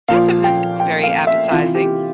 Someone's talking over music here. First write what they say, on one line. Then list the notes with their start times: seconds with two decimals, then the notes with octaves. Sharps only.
That doesn't seem very appetizing.
0.08 A#2 F3 F5
0.44 G5
0.80 G5
1.03 F5
1.27 E5
1.51 C3 E3 F4
1.75 G4